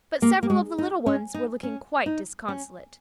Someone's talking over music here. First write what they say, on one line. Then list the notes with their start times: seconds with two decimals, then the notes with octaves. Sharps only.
But several of the little ones were looking quite disconsolate.
0.22 A#3
0.43 A#3
0.50 G#3
0.78 D#4
1.06 C#4
1.34 D#4
1.63 C#4
2.06 D#4
2.48 C#4